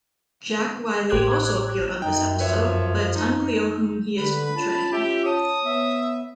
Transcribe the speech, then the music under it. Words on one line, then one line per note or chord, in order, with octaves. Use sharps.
Jack Riley also appeared on this episode, but it's unclear whom he is portraying.
A1 G4 C5 D6 F#6 G#6
F#2 D#4 G5
F3 B4 C#5 E5
D#4
D3 B4 B5
C#4 F4 A5
G4 E5
C#5 A5 D#6
B3 E5